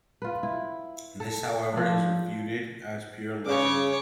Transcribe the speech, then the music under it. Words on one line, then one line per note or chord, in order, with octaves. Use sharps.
This, however, is refuted as pure legend.
F4 B4
E4
A4
F3 D4
C#3 C#5 D6